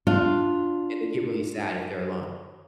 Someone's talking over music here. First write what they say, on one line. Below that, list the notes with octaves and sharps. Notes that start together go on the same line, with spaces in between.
Yeah, they get really sad if they're alone,
D4 F4